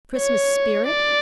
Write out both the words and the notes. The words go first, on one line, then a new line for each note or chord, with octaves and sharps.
Christmas spirit?
C#5
D5